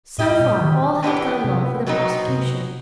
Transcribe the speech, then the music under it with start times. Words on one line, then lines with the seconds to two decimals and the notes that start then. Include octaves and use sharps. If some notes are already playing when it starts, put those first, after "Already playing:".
So far, all had gone well for the prosecution.
0.18 A2 G3 D#4 G4 D#5
0.40 B2
0.61 D#3
1.03 A2 E3 B3 E4 G4
1.44 C3
1.87 B2 F#3 C4 D#4
2.28 C3